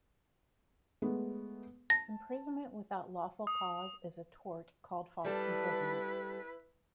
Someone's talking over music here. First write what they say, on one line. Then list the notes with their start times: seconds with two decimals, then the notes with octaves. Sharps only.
Imprisonment without lawful cause is a tort called false imprisonment.
1.02 G#3 A3 B3
1.90 A5 A#6
3.47 D#6
5.25 G3 E4 A4 B4 A5